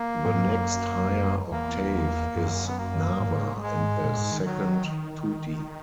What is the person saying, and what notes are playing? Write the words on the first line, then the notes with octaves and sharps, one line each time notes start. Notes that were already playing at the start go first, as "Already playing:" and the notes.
The next higher octave is "nawa" and the second "tuti".
Already playing: A#3
G#2
F#2
E2 A#3
F#2
B3
A#3
G#2
F#2
G#2
G#3
A#2
G#2
D#3
D#3 F#3